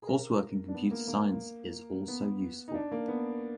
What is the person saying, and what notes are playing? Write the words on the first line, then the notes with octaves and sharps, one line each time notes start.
Coursework in computer science is also useful.
G#4
A#4
D4
B3
A#3
A#3
B3
D#4
D4
A#3
B3